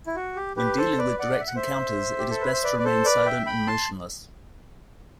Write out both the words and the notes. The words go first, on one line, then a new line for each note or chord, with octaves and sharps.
When dealing with direct encounters it is best to remain silent and motionless.
E4
F#4
G4
G4 B4
A4 C5
B4 D5
D5 F#5
E5
F#5
C5 E5
G4
A4
B4
C5
B4 D5
D5
A4 C5
B4 D5
E5 G5
G5 B5
A5 C6